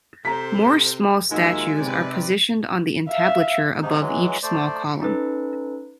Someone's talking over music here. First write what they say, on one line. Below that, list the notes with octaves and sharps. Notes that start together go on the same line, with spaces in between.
More small statues are positioned on the entablature above each small column.
C3 A4 C5 A#5 B6
D#2 G#3 D#4 F4 F#4 A#4 E5
C3 B4 D5
E5 F5
G#2 C3 D#4
E3 F#3 G#3
A3 C5 D5
C#4 D#4 A4 B4